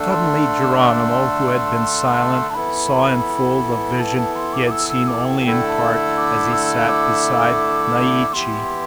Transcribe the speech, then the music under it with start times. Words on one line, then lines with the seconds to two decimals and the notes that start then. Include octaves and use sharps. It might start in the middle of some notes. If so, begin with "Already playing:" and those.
Suddenly Geronimo, who had been silent, saw in full the vision he had seen only in part as he sat beside Naiche.
Already playing: D3 A3 D4 A4
0.10 B5
0.14 C6
1.11 C6
2.50 A5
2.55 E3 B3 E4 A4 B5
4.00 A5
4.18 A5
4.36 C6
4.53 D6
4.66 D6
4.71 E6
4.89 E6
5.08 D6
5.26 G5
5.43 D3 A3 E4 A4 G5
5.68 A5
6.17 D6
6.53 E6
6.89 D6
8.33 E3 B3 E4 G4 C6